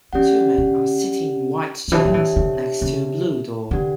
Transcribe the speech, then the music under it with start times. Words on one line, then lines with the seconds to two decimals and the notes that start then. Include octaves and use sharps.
Two men are sitting in white chairs next to a blue door.
0.13 E3 C#4 G4 D5 F#5
0.58 D3
1.88 D3
1.92 E3 D4 G4 C#5 E5 A5
2.05 F#3
2.14 E3
2.36 D3
2.81 C#3
3.71 D3 D4 G4 B4 F#5